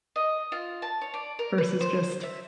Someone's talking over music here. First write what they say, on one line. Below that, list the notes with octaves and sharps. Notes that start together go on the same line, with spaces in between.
versus just,
D#5
F4
A5
C#5
D5
A#4
B4
C5
E5